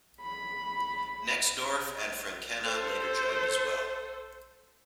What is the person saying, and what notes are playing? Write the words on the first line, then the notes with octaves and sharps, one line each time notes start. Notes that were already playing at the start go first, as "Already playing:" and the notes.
Nexdorf and Frankena later joined as well.
B5
A4 C5